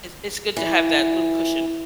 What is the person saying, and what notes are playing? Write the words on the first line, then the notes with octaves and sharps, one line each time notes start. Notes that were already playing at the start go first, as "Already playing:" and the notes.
It's it's good to have that little cushion.
E3